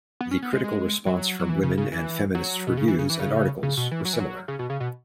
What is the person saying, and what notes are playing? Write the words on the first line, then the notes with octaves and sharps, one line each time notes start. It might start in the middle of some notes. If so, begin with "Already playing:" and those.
The critical response from women and feminist's reviews and articles were similar.
B3
C#4
B3
G#3
G#3
F#3
F#3
E3
C#3
C#3
E3
F#3
B2
C#3
E3
C#3
E3
C#3
C#3
B2
E3
F#3
E3
F#3
C#3
B2
C#3
B2